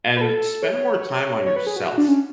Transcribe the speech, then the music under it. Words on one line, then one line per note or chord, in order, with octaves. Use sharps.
and spend more time on yourself.
B4
A4
C#5
C#5
B4
G#4
F#4
F#4
D4
C#4